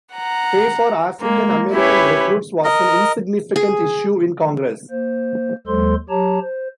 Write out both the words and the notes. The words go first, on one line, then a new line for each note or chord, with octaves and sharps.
Pay for African American recruits was an insignificant issue in Congress.
F#5 A#5
G#3 A#3
C#4 E4 G4 B4 C#5
A#4 D#5
G#4
A#3 C5
D#2 F#3 G#3 A4 C5 C6
F#3 G4 C#5 A5 A#5
C5